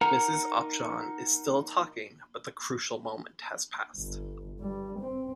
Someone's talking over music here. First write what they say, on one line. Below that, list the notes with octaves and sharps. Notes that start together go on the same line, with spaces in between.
Mrs Upjohn is still talking but the crucial moment has passed.
D#4 A#4 F#5 A#5
G1
G2 G3
C4